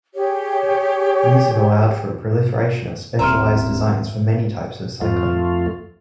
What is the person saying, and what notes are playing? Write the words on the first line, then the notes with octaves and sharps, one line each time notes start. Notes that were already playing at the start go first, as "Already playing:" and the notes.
These have allowed for a proliferation of specialized designs for many types of cycling.
G4 G#4 C#5
D#1 C2 E5 A#5 C6 F6
F2 A3 F4